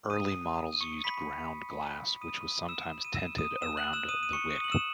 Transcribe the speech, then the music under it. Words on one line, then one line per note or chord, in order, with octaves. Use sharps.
Early models used ground glass which was sometimes tinted around the wick.
D#6 D#7
D#7
C#6 C#7
B5 B6
D#6 D#7
E6 E7
D#7
E6 E7
D#6 D#7
E6 E7
F#6 F#7
E6 E7
D#6 D#7
D#7
C#6 C#7
D#6 D#7
F#7
E6 E7